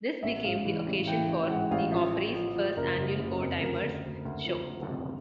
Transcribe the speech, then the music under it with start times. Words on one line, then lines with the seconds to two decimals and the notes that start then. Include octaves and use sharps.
This became the occasion for the Opry's first annual Old Timers' Show.
0.23 A1 E5
0.44 G#2 F5
0.65 E3
0.87 A1
1.07 E3 G5
1.28 A1
1.50 G#2 F#5
1.71 A1 F5
1.92 F3 E5
2.13 F3
2.34 F3
2.55 F3
2.76 F#1 A#4
2.97 F#1
3.19 F#1
3.40 F2
3.61 D2 A#4
3.83 D2
4.04 D2
4.25 D2
4.46 F3
4.67 D2
4.88 C3